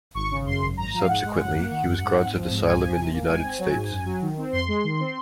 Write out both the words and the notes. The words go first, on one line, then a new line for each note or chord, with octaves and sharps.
Subsequently he was granted asylum in the United States.
G#1 C#6
C#3
F#2 C6
G#1
G#1 A#5
F3
F5
G#2 F#5
G#3
F#2 F#5
A#3
D#3
F#2
G#2
C4
F3
G#2
C#2 G#5
F3
C3
A#3
G#2 G#5
C4
F#3
G#2
F#2
F#3
D#3
C4
F2 C6
G#3
D#3
C4